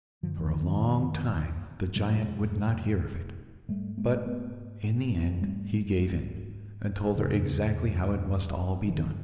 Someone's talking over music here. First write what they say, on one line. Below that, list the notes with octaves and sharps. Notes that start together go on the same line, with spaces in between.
For a long time the giant would not hear of it, but in the end he gave in, and told her exactly how it must all be done.
F#2 D3 F3
E3
D#3 F3
F2 C3 F#3 G#3
G#2 G3 A3
G#3 A#3
A3 B3
G#2 G3 A3
E2 C#3
G2 D3 D#3 F3